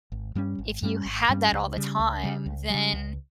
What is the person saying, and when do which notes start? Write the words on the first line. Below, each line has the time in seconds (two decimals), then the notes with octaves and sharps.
if you had that all the time, then,
0.12 G#1
0.35 G2 G3 C#4
0.59 G#1
0.82 G2 G3 C#4
1.05 G#1
1.29 G2 G3 C#4
1.53 C#2
1.76 C#3 G3
1.99 C#2
2.23 C#3 G3
2.46 C#2
2.70 C#3 G3
2.93 C#2